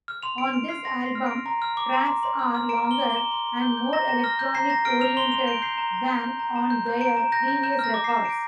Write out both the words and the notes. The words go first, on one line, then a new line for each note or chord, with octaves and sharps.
On this album, tracks are longer and more electronic-oriented than on their previous records.
F6
C6 F7
C6 D7
F6 D7
F6 C7
C6 A#6
C6
C7
F6
F6 D7
A#5
F6
D6
A#5
C6
C6
F6
F6
A#5 D7
F6
G7
D6
G7
A#5
C6 G7
C6
G6 G7
G6
A#5 A#6
A#5 A#6
F6 A#6
F6 G6
A#5 C7
A#5 A#6
F6 D7
F6 F7
C6 G7
C6 F7
G6 D7
G6 C7
A#5
A#5
G6
G6
A#5
A#5
G6
G6
A#5 D7
A#5
G6 A#6
G6
A#5 G6
F6 A#6
D6
C7
A#5
C7
A#5 D7